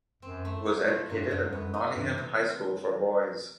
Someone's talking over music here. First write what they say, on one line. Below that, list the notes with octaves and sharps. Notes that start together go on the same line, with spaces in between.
He was educated at Nottingham High School for Boys.
F#2 C4
A3
F4
A3
G2 F#3
F#2
D3
F#2 B3
D#4
G2 E3
C3